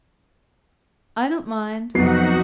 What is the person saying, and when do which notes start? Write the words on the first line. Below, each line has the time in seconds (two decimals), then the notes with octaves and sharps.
"I don't mind."
1.95 F2 C3 F#3 B3 D#4 F#4 F#5 C7